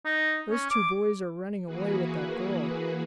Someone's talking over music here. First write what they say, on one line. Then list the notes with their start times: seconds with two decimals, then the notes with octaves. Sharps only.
"Those two boys are running away with that girl!"
0.05 D#4
0.50 C#4
0.70 D6
1.66 E3 A#3 F#4 G#4 B4